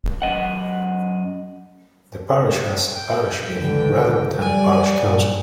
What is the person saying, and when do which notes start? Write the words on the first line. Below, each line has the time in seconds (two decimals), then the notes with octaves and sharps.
The parish has a parish meeting rather than a parish council.
0.22 F#2 D#5 F#5
2.93 G5
3.53 C#2 D3 E3
4.41 G3 D5 G#5
4.98 G2 A#2